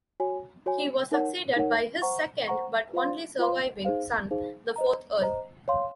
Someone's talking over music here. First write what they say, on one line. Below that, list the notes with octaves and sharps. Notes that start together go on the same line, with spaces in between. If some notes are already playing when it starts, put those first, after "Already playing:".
He was succeeded by his second but only surviving son, the fourth Earl.
F#4 C#5 G#5
F#4 C#5 G#5
D#4 A#4 C#5 F#5
D#4 A#4 C#5 F#5
C5 F#5 A#5 C#6
C5 F#5 A#5 C#6
F4 C5 F5 C6
F4 C5 F5 C6
D#4 G#4 C5 F5
D#4 G#4 C5 F5
C5 D#5 A#5
C5 D#5 A#5
C#5 F5 C6